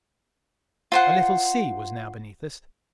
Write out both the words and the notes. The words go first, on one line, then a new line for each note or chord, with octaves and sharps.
A little sea was now beneath us.
F4 C5 F#5